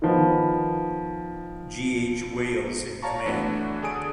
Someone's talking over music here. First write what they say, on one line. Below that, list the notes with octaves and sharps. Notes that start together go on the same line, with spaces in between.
G. H. Wales in command.
D#3 F3 B3
C#5 D5 F5 A5 A#5 C#6
E3 A3 B3 D4 F#4
D3 G#4 A4 G#5 D#6 D7